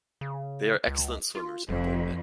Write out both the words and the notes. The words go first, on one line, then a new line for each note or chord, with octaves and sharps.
They are excellent swimmers and boatmen.
C#3
C#2
F4
F1 F2